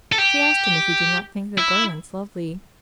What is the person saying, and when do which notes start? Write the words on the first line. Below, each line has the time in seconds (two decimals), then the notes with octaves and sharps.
She asked him if he did not think the garlands lovely.
0.13 A4
0.19 G4
1.58 E4